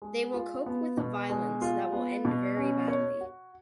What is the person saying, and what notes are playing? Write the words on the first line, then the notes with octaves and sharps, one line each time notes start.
They will cope with a violence that will end very badly.
G#3
F4
B3
B2
G#3
F4
B3
B2
C#4
C#5
F#4